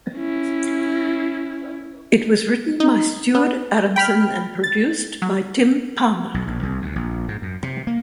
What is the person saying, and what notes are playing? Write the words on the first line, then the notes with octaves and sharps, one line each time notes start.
It was written by Stuart Adamson and produced by Tim Palmer.
C#4 E4
D#4
B3
G5 B5 F6
A6
F#3
B1
A#1
C2
D2
A#1
G#2
F#2
C3
A#3